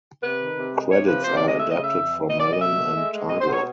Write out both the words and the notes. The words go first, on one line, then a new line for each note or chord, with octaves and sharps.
Credits are adapted from Melon and Tidal.
C3 B4
D#3
C3
G#3
C3 C#5
F3 B4
C3 C5
D5
G#3 D#5
A3 E5
D#5
C#3
E5
F2
E3
B2 D#5
D5
F#3
D#5
B2 E5
A3
G#3
G#3
B2 D#5
C5
B2
C#5